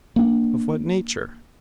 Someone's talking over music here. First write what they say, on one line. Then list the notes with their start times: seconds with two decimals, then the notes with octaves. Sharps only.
Of what nature?
0.16 A#3 D4